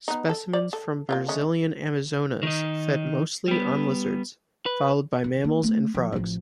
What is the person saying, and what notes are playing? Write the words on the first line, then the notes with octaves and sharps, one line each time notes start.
Specimens from Brazilian Amazonas fed mostly on lizards, followed by mammals and frogs.
B3 D#4
A4
D5
A4
A#3 E4 F4
G#3 A3 C#4
D#3 D#4
G3 B3
B4
D#3
A#3
A3 B3
F3
A1 F3